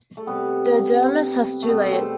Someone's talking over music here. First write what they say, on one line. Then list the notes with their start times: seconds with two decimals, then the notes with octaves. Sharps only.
The dermis has two layers.
0.17 A3
0.26 C3 G3 B3
1.62 A3
1.68 B2 G3 B3
1.92 A3 C4